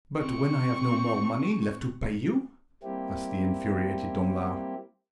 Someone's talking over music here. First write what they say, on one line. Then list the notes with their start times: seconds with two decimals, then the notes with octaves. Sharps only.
"But when I have no more money left to pay you?" asked the infuriated Danglars.
0.19 C4 C#6
2.83 G3 A#3 C4 E4 G4